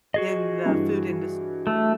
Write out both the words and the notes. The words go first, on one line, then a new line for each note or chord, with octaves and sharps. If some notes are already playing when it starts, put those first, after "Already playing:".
in the food indust
F#4 G#4 D#5
G2 E3
A3